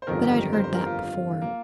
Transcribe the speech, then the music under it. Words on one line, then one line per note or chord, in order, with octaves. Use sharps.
But I'd heard that before.
C5
G1 F2 D#3 A#4
G4
A#4
C5
C5
A#4
F4
A#3